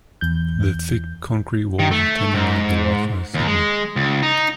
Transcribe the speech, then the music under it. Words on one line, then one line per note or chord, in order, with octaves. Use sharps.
The thick concrete walls attenuated the wi-fi signal.
E2 G6
D#3
A3
G#2
D#2
G#3
C#2
D#4